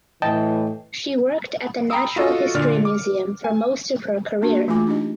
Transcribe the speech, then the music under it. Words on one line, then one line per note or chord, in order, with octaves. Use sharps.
She worked at the Natural History Museum for most of her career.
A2 E3 D#5 G5 A5
G5 A#5 B5 D#6 E6
F4 F#4 A4 D#5
A#2 D3 D5 F6
D6
G#5
A#3 D4 F#4 G4
E3 A3 F4 G#4 G#5 D6
D4 D#4 G4 D#5